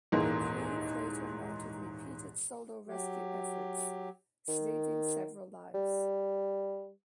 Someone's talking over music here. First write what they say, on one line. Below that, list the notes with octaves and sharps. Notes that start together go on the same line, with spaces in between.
Boukreev later mounted repeated solo rescue efforts, saving several lives.
D#1 E2 G#2 G#3 A#3
F#3 G4
D#3
G3